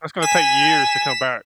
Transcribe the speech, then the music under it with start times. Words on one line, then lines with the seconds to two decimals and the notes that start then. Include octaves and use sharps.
that's gonna take years to come back.
0.22 G#5 B6 E7